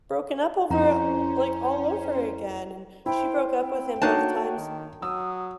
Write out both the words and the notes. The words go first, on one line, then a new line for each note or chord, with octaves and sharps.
broken up over, like, all over again. And she broke up with him both times,
F2 C#4 E4 C5 A#5
E4 C5 G5
C4 G5
A#3 D4 D#4 F#4 C#5 A5
D#3
F#3 D#6 E6